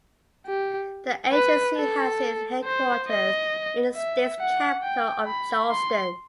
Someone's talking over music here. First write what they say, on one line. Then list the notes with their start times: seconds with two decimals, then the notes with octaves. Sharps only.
The agency has its headquarters in the state's capital of Charleston.
0.46 G4
1.33 B4
1.77 A4
2.65 C5
3.08 D#5
3.96 E5
4.39 F#5
4.83 G5
5.27 B5
5.71 C6